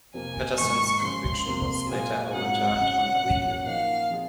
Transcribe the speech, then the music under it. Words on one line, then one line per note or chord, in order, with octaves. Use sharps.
Pettersson's conviction was later overturned on appeal.
F2 C3 F3 A#3 G#5
G#2 D#3 A#3 C#6
C#3 F3 G#3 C6
F2 C3 F3 A#3
A#2 F#3 A#3 F4 G#4 G#5
G#2 F#3 C4 F4 G#4 F#5
C#3 F#3 C#4
A#2 F#3 C#4
F3 A#3 D#4 F5
F3 C4 F4 G#4